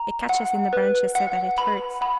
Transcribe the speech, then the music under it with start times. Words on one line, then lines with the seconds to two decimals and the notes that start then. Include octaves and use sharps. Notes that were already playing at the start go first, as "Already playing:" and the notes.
"It catches in the branches so that it hurts."
Already playing: A#5
0.29 F#5
0.73 B4
1.15 F#5
1.58 B4 B5
2.01 F#5 B5